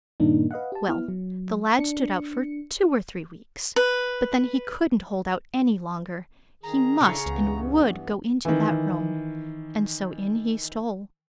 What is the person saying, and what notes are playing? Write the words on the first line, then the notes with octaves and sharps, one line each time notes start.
Well, the lad stood out for two or three weeks, but then he couldn't hold out any longer; he must and would go into that room, and so in he stole.
G2 A#2 D#3 A#3 D4 D#4
B4 D#5 F5 F#5
G4 A5
B3 E4 F6
F#3
D4 C#7
B4
D#3 G#4 A#5
C#3 D4 E4 A4
C#2 G2 E3 B3
D#3 E3